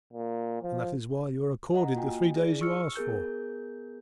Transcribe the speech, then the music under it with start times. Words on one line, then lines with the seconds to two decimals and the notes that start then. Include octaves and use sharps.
And that is why you are accorded the three days you ask for.
0.13 A#2
0.63 F3
1.74 D#5 F#5 A#5
1.96 A#3 F4 F#4 D#5 G5 G#5
2.34 E4 G#4 D5
2.61 C#6 E6 F6 C#7
2.96 B3 G#4 A#4 G6